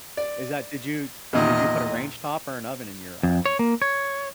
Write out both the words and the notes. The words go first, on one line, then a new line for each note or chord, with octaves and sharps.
Is that did you did you put a range top or an oven in your island?
D5
E2 A#2 D#3 D#5
F2
C#5
A#3
C#5